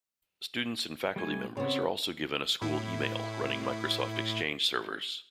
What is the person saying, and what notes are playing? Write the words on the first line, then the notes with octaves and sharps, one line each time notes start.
Students and faculty members are also given a school email, running Microsoft Exchange Servers.
G3 A3 G#5
C#3 B3 C4
A2 E4